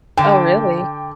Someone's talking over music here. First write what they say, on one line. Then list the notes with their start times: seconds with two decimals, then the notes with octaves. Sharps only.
Oh, really?
0.17 D3 G5